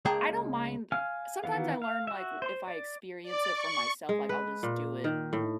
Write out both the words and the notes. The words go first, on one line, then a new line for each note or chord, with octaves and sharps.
I don't mind Sometimes I learn like w if I experience it for myself, like I'll just do it,
C#2 G#3 A#3 G#4 G5 A5
F5 G#5 F6
D#3 E3 B3 F5
F5
F#4 E5
C5 C6
D5
D5
C#6
G#3
B4
A#2
D#3
A2